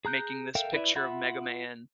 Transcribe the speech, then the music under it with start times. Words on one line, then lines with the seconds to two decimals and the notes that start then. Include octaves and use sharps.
making this picture of Mega Man
0.05 G#4 A#5 F#6 G6
0.55 A4 A#4 E5 F5 G5
0.73 E4 B4 D5 E5
0.96 F4 E5 F#5 B5